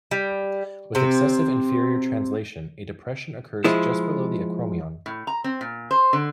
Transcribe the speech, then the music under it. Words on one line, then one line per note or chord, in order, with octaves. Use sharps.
With excessive inferior translation, a depression occurs just below the acromion.
G3
C3 C4
F3 G#3 E4
A2
A#5
C4
A#2
C5
D3